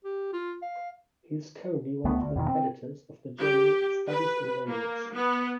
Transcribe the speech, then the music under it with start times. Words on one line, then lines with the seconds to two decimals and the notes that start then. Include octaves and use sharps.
He is currently one of the editors of the journal "Studies in Language".
0.05 G4
0.33 F4
0.62 F5
2.05 C#2 A3 B3
2.21 D2
2.36 E2 B2 D#3
2.48 C4
3.39 G4
4.08 B4
4.67 A#3
5.14 B3